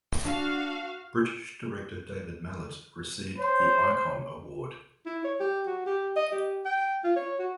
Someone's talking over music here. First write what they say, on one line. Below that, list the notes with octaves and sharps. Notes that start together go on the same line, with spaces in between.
British director David Mallet received the Icon Award.
D4 F#4 F5
C5 C#5
E4
C#5
G4
F#4
G4
D#5
G4
G5
F4
C#5
F#4